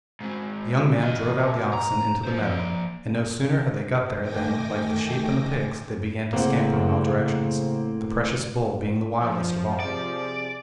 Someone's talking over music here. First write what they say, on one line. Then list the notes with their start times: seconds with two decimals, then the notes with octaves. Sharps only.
The young man drove out the oxen into the meadow, and no sooner had they got there than, like the sheep and the pigs, they began to scamper in all directions, the precious bull being the wildest of all.
0.21 G#2 C4
0.98 E3 D#5
1.40 B2
1.73 A#5
2.25 F4 C5
2.39 F3 D5
4.20 D#3 A3 G5 G#5 D6 A#6
6.33 A2 C#3 A#3 C4 F#5
9.20 F3
9.80 C3 G#4 D5